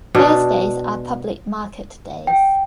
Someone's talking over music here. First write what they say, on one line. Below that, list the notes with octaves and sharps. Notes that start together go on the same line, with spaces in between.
Thursdays are public market days.
B2 D4
G5